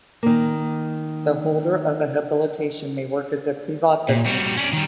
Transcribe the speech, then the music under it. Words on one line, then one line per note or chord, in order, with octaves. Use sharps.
The holder of a Habilitation may work as "Privatdozent".
D#3 A#3
A#2
G3 F#4
C#4 D5
D#3 G3